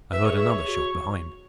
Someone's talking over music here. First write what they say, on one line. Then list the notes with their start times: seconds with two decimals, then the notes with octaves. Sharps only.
I heard another shot behind me.
0.12 B4 E5
0.25 C#5
0.30 G#4
0.37 E5
0.49 G#4 C#5
0.62 G#4
0.68 F#4